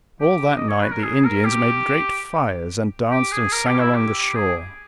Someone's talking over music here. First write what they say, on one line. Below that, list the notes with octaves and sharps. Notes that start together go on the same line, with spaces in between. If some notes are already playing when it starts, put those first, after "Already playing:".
All that night the Indians made great fires and danced and sang along the shore.
G4
D#5
C#5
B4
A#4
G#4
A#4
G4
G4
G#4
A#4
G4
E4
G4
G#4